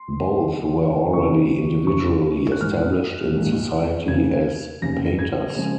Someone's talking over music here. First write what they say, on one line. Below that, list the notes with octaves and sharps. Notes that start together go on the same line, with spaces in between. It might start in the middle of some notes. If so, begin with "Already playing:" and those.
Both were already individually established in society as painters.
Already playing: C6
D#2 D#3 F#3 A#3
F1 F2 C#3 C#6
F1 F2 C#3 C#6
F#6
A#1 G#2 D#3 A#3 F6
A#1 G#2 D#3 A#3
F1 D#2 C#3 G#6
F1 D#2 C#3 A#6
G#6
C#3 F3 G#3